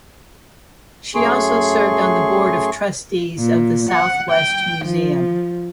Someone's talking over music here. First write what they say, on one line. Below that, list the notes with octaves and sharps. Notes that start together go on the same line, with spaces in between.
She also served on the board of trustees of the Southwest Museum.
F#2 A3 G#4 C6 C#6
A#2
F#5
G5
F3